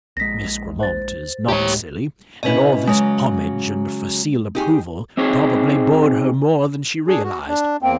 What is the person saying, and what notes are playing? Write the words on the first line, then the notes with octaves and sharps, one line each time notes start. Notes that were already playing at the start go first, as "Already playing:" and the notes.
Miss Grammont is not silly and all this homage and facile approval probably bored her more than she realized.
A#1 G#3 A#6 B6
C5 A6
D1 A2 G#3 G4 C#5
B2 C#4 E4 B4 D#5
C#3 F#3 G#3
D#4 G4 G#4
C4 D#4 G4 G#4 C#5
D4 G#4
F#4
D4
E2 A#3 C4 G5